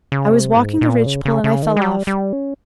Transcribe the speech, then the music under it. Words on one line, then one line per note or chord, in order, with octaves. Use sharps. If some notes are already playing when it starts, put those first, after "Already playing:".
I was walking the ridgepole and I fell off.
C#3
C3
G#2
A#2
C#3
C#3
C#3
D#3
G#3
G3
G3
C#4